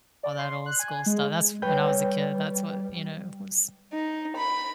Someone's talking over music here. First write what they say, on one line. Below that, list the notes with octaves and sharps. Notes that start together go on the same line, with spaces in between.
all that old school stuff. That's when I was a kid, that's what, you know, was
D5
C6
F#6
G#5
G#3
G3 B4 C#5 G5 G6
D#4
B5